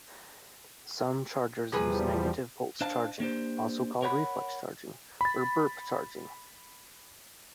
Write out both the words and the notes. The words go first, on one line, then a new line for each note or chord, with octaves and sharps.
Some chargers use "negative pulse charging", also called "reflex charging" or "burp charging".
E2 C3 F3 G3 G#4 B4
D4 C5 D#5 F5 A5
A#3 D4 G4 C5
A#4 C#5 F#5 G5 B5
B5 A6